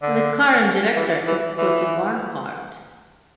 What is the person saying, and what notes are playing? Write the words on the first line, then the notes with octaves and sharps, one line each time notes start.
The current director is Scotty Barnhart.
D3
E3
E3
E3